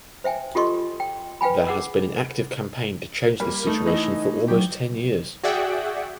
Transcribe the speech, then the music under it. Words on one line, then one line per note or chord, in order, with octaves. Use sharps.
There has been an active campaign to change this situation for almost ten years.
C5 E5 G5 G#5
F4 G4 A4 D#5 C6 C#6
G5
B4 F5 G5 G#5 B5
G#4 F#5 E6
G3 A#3
A3 D#4
E3 D#5
F#3 G4
F#4 G#4 D5 E5 F#5 G5